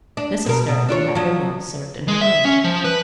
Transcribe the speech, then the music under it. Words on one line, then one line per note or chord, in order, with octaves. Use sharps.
Mrs. Sterling had her meals served in her room.
D4
B2 A#4
B2
D4 F4 C#5
F3 F#3
G#3
E5
C#4
F3
B4